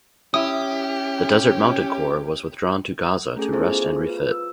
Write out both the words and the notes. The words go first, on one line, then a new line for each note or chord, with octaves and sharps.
The Desert Mounted Corps was withdrawn to Gaza to rest and refit.
C#4 E4 G4 E5 D#6
A3 C#4 G#4 A4
B3 E4 F4 G#4 A4 C5
F4 B4
E6